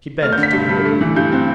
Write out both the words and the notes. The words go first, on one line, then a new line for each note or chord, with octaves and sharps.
She bent toward me.
A3 F6
G6
D3
B6
G2
G2
A3
E3
G2 G6
C4